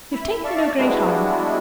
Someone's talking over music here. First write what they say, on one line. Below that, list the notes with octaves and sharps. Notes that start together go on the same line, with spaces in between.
"You've taken no great harm."
E4 B5
D5 E5 F5 A5 C#6
G3 G#3 B3 D4 E4 F#4